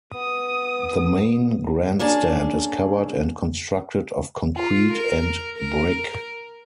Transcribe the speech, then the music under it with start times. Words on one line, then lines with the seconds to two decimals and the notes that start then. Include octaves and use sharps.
The main grandstand is covered and constructed of concrete and brick.
0.14 B3 D#6
1.99 A#3 C#4 D4 G#4 A5
4.56 F4
4.94 A#4
5.58 A#4